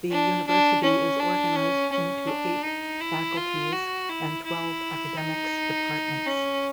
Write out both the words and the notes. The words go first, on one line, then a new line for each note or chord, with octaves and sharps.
The university is organized into eight faculties and twelve academics departments.
D4
D4
C#4
D4
C#4
C#4
D4
D#4
E4
F4
F#4
E4
E4
D#4
C#4